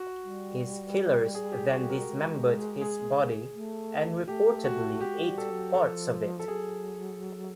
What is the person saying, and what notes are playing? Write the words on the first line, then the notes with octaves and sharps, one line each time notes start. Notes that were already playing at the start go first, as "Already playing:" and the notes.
His killers then dismembered his body and reportedly ate parts of it.
Already playing: F#4
G3
G#4
G4
F#4
A#4
G#3
G#4
A3
A3 G4
F#4
G#3 G4
G3
A4
F#3
F3 A4
A4
F#3 G#4